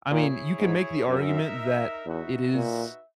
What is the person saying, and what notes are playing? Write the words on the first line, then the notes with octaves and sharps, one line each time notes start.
I mean, you can make the argument that it is
A#2 E4 G#4 C#5
G#2
F#2 D#4 A#4 E5
E2 D#4 F#4 B4 E5
A#2